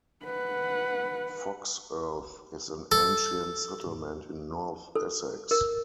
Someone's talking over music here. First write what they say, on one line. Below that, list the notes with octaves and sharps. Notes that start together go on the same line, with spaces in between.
Foxearth is an ancient settlement in north Essex.
B4 F#5
A4
A4
A#4